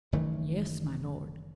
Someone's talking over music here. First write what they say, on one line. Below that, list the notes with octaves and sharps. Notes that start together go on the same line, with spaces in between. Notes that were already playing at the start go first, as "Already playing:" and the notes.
"Yes, my Lord!"
F#1 D#3 E3 A3